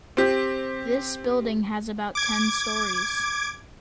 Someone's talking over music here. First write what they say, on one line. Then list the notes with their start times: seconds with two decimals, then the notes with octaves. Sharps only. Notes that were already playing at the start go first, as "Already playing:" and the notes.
This building has about ten storeys.
0.17 C4 G4
2.15 D6 G#6